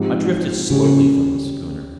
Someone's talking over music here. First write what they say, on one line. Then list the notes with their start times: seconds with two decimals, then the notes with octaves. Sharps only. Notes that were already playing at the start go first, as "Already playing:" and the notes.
I drifted slowly from the schooner.
Already playing: G#2 F3 C4 G4
0.70 C#3 G3 C#4 G#4